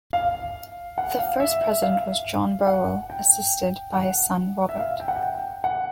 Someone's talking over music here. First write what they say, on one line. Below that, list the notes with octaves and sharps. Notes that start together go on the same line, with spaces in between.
The first president was John Burwell, assisted by his son Robert.
F5
F#5
F5
E5
E5
F5
F#5
G5
F#5
E5
F5
G5
F#5
G5
F#5